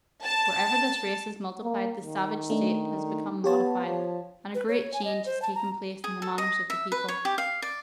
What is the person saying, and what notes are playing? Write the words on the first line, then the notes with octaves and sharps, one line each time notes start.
Wherever this race has multiplied the savage state has become modified, and a great change has taken place in the manners of the people.
A5
A#3
D#3
A3 D4 D#4
B3 G4 C#5 A5
F3
B4
C#5
G#5
D#5
C5
A5
A#5
G#4
A4
D#5
E5
B4
C#5
G4
F5
D5